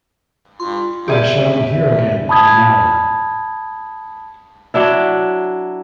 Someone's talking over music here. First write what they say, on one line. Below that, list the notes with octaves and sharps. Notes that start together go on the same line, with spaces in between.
I shall be here again in an hour.
F4 C6
G4 G#4 D5 E5
E5
A5 B5 D#6 G#6
F#3 D4 E4